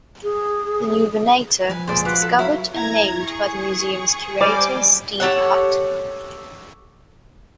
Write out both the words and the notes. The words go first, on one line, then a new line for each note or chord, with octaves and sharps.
The Neovenator was discovered and named by the museum's curator Steve Hutt.
G#4
F3 B4 G#5
C#2 A#2 G#4 C5 D5
F4 F#4 B4 C5 F5 D6
A4
F#3 E4 F#4 F5 B5
E4 A#5 G#6
G#4 C#6
G3 C5 D5 D#5 G#5 D6
G4 A4 C#5 F#5